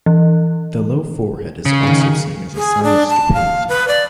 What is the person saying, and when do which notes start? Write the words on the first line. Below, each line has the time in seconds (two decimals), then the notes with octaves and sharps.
The low forehead is also seen as a sign of stupidity.
0.06 E3
1.66 C#3
1.83 D#3 G#4
2.55 G#4
2.83 D4
3.09 A5
3.33 F5
3.69 B4
3.88 D5